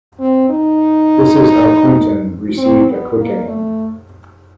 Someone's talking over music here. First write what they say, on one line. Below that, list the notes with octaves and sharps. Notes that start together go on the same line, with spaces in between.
This is how Quentin received a Quickening.
C4
D#4
C4
B3
A#3
A3